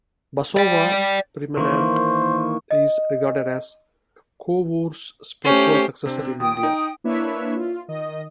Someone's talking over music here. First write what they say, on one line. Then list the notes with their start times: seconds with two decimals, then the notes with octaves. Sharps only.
Basava Premanand is regarded as Kovoor's spiritual successor in India.
0.57 D5 G5
1.57 D#3 E3 A#3 C5 C#6
2.71 D#5
5.45 A3 C#4 G4 C5
6.06 C3 C4 D4
6.40 D#2 G5 D#6
6.63 D#4
7.04 A#3 D4 E4 B4 C#5 E5
7.56 F4
7.88 D#3 D#5